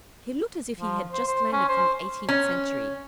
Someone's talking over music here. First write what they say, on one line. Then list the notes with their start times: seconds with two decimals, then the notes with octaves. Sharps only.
He looked as if he had just landed from the Eighteenth Century.
0.80 F3
1.12 C5
1.27 C5
1.53 C#4
1.69 C5
2.29 C#4